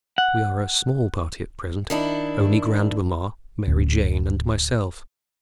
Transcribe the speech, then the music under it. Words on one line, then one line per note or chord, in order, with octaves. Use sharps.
We are a small party at present, only grandmamma, Mary Jane, and myself.
F#5
D#3 D4 E4
D1 D2 C#4